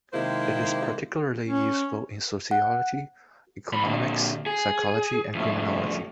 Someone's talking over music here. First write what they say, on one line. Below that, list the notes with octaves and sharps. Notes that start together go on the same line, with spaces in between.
It is particularly useful in sociology, economics, psychology, and criminology.
C3 D#3 G#3 A#3 E4 C5
C#4
F#5
F2 B5
A#2 D3
G#4
F2 A2